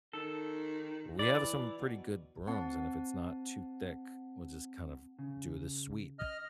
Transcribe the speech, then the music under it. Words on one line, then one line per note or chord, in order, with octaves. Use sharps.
we have some pretty good brooms, and if it's not too thick, we'll just kind of do the sweep.
D#3 A4
E3 D5
B2
C4 F#5 A5
C#3
D#5 F6